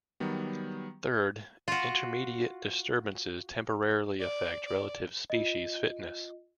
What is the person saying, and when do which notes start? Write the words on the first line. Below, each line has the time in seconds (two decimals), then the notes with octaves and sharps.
Third, intermediate disturbances temporarily affect relative species fitness.
0.20 D#3 F#3 G3 B3
1.68 F4 F#4
4.20 D5
4.66 D5
5.30 F4 D#5